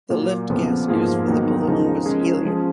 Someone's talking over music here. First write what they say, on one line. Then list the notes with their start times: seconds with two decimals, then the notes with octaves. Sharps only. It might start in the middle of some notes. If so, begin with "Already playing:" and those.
The lift gas used for the balloon was helium.
0.10 A#2 F#3 A#3
0.49 F2 C#3 F3 B3 F4
0.88 G#2 F3 A#3 F4 G#4
1.28 D#2 D#3 F#3 B3 D#4
1.67 C#3 F3 G#3 D#4 A#4
2.05 F3 G#3 C#4 G#4
2.45 F3 G#3 C#4 G#4